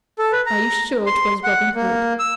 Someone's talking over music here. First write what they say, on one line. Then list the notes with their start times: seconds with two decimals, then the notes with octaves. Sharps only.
"Are you sure 'twas Robin Hood?"
0.19 A4
0.32 B4
0.46 A#5
1.06 C6
1.44 F#5
1.75 A#3
2.19 E6